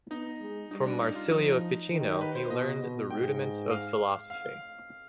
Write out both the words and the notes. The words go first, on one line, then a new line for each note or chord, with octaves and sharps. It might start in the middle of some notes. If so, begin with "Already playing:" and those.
From Marsilio Ficino he learned the rudiments of philosophy.
B3 D#4
G#3
G3 D#4
D4
D#4
F4
F3 D#4
D#3
G4
B4
C5
B2 D#5
B2
G#2 G5
F5
F5